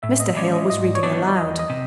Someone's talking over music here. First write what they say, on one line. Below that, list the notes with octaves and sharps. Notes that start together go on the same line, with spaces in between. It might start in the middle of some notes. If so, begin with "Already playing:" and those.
Mr. Hale was reading aloud.
A2 E5
D#5
E3 G#3 C#4 D5
D#5
G#2 D#5
C#5
D#3 F#3 B3 D4 D5
E2 D#5
D#5
C3